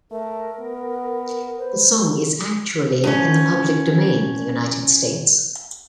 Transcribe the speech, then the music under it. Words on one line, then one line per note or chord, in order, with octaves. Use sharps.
The song is actually in the public domain in the United States.
A3 A#4
B3
B4 C5
E2 F3 C#4